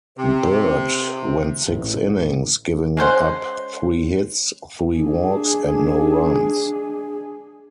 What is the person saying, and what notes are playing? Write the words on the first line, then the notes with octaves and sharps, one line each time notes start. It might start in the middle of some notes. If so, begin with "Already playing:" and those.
Byrd went six innings, giving up three hits, three walks and no runs.
C3
A1
G#3 C#4 C5 F#5
D4 G#4